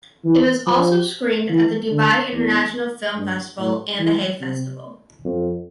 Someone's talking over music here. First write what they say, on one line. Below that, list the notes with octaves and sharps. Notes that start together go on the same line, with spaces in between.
It was also screened at the Dubai International Film Festival and the Hay Festival.
E3
F3
E3
D3
E2
G2
A2
E3
C3
F2